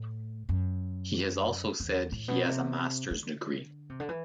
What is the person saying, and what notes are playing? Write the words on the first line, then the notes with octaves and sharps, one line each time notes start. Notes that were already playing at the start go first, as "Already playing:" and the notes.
He has also said he has a master's degree.
Already playing: A2
F#2
E2
A2
B2
C3
D3
C3
D3
E3